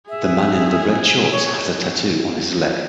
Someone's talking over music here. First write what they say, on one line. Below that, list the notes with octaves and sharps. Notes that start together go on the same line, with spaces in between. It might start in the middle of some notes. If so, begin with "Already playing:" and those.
The man in the red shorts has a tattoo on his leg.
G#4 E5
C#5